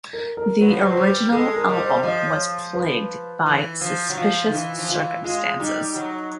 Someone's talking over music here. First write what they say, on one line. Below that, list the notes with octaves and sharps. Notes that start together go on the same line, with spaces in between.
The original album was plagued by suspicious circumstances.
A#4
A#4
F#3 B4
F3
F#3
C5
G3
B4
G#3 A4
A#4
G3
C5
F3 D#5
C#5
B4
E3
F3
F#3
F3 F4
D#3
E3
F3
E3 F4
G#3 F4
G3 D#4
F#3